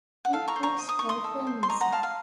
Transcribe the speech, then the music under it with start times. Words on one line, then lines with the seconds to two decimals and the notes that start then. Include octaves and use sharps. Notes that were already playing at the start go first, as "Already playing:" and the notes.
In Who Stole Feminism?
0.25 F#5
0.33 A4 F5
0.48 A#5 C#6
0.56 C5
0.63 A#5 C#6
0.78 D#5
0.89 D#6
0.99 D#4 C#6
1.09 C6 D#6
1.24 A4
1.47 C5
1.63 C6
1.69 D#5 A#5 C#6
1.81 F#5 A#5
1.91 D#4 F5 A5
2.03 F5